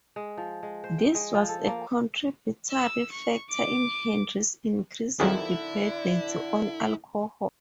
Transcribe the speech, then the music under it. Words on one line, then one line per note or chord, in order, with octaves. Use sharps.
This was a contributory factor in Hendry's increasing dependence on alcohol.
G#3
F3
G#3
C5
G5
G#3
F3
A4
A#3
E6
C#6
D6
F2 D3 D#3 F#3 E4 F#4 G#4